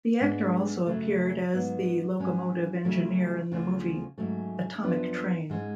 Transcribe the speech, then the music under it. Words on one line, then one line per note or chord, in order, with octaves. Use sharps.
The actor also appeared as the locomotive engineer in the movie "Atomic Train".
G#2 G#3 B3 D4
F#2 C#3 F#3 A3
G#2 F#3 B3
G#2 F#3 C#4
F2 C#3 F#3 A3
D2 C#3 F3
G#2 F#3 A3 C#4
F#2 F3 B3 D4
G#2 G#3 C#4